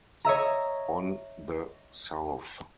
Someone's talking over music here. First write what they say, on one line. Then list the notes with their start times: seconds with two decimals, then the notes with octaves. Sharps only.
On the South.
0.25 C#5 D#5 E5 A#5